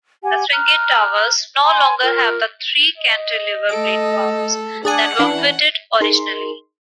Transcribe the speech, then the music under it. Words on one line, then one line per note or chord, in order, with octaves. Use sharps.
The Swingate towers no longer have the three cantilever platforms that were fitted originally.
G4 F#5 G#5
A#5 F6 F#6
G#5 B5 C6
F4 A#4
D#5
A3 A4 D7
D4 G#4 D5 F#5 G#5
E3 C#4 D4 E4
D#4 G#4 A#4 C6